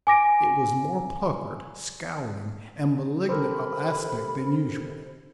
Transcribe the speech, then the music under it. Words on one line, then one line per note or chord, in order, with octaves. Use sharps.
It was more puckered, scowling and malignant of aspect than usual.
G#5 D6 A#6 D7
G4 A4 A#4 C5 B5